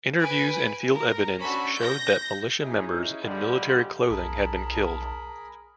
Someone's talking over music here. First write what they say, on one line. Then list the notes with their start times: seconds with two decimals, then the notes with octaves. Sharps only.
Interviews and field evidence showed that militia members in military clothing had been killed.
0.19 B4 G#5 D7
0.92 A#4
1.42 C#4 D4 F#4 A4 B5
1.78 G6 A#6
2.62 C#4 D#4 E4 G#4
3.23 D3 F3 G3 G#3
4.10 B1 G#4 A#4 A5 B5